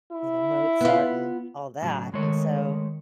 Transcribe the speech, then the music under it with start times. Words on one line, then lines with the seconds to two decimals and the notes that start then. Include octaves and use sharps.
you know, Mozart and all that and so
0.12 E4
0.81 B3 F4
1.82 A2 C#3 F#3
2.14 D#3 G#3 A3 C#5